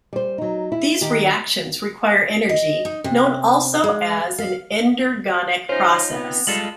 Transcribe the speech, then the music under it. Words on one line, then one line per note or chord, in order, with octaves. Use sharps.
These reactions require energy, known also as an endergonic process.
G3 C5
F#3 D#4
E4
D#3 G4
D#5
D#4
C3
G#3
F5
C#4 D#4 F4 C5 C#5
B3 C4
G3 G#3 F4 A4 F#7